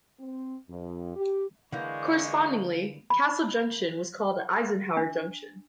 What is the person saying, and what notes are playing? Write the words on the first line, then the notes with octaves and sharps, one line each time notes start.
Correspondingly, Castle Junction was called Eisenhower Junction.
C4
F2
G4
D3 E3 G#3 A#3 D5 F5 C#6 G6
B5
D4